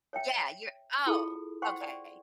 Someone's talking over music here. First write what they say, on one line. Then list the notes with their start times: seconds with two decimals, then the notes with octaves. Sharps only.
yeah you're oh, okay.
0.13 C#5 E5 G5
1.06 E4 F4 G#4 A4
1.62 C5 F#5 G5 C6 C#6
1.81 D5